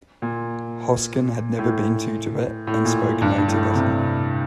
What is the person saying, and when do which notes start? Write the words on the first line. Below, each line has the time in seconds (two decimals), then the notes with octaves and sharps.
Hoskin had never been to Tibet and spoke no Tibetan.
0.22 A#2
1.59 A2
2.67 A2
2.85 A#2
3.22 G2
3.38 G2
3.48 A2
3.75 C3